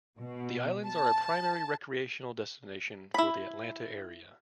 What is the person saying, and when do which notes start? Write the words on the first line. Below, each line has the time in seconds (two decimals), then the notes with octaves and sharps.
The islands are a primary recreational destination for the Atlanta area.
0.18 B2
0.86 A5
3.14 E4 B5